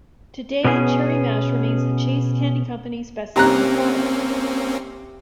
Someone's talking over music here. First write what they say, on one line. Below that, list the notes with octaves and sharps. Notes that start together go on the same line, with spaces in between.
Today, Cherry Mash remains the Chase Candy Company's best-selling product.
B2 B3 C#4 G#4
C3 A#3 C4 C#4 A#5 F#6